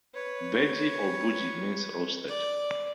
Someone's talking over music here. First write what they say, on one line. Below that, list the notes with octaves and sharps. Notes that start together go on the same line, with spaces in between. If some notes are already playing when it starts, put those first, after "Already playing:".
Beji or burji means roasted.
B4 C#5
D5